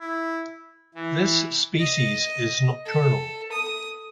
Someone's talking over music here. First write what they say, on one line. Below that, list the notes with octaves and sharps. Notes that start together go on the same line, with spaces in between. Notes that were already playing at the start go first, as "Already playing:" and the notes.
This species is nocturnal.
E4
E3
D#5
A4
D#6